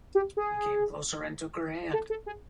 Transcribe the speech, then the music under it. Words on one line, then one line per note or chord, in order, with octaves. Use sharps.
He came closer and took her hand.
G4
G#4
A4
A4
G#4